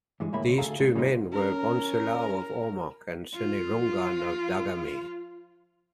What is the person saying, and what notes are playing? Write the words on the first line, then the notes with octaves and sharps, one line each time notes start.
These two men were Bonsilao of Ormoc and Sinirungan of Dagami.
G2 E3 G#3
D2 A2 G#3 A#3 E5 B5
C#2
D2 A3 G#4 F5 A#5
A2 G#3
G#2 C#3 G3 A#3 D#4 F4
C#4 A#4
F3 F4